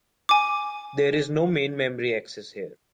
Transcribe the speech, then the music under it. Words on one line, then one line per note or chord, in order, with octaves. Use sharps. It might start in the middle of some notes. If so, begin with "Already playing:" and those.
There is no main memory access here.
G#5 D6